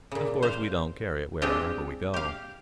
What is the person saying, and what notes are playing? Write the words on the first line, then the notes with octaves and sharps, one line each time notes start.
Of course we don't carry it wherever we go.
A#2 C#3
C5 F5
G#3 C4 D4 F4 G4
G4 F5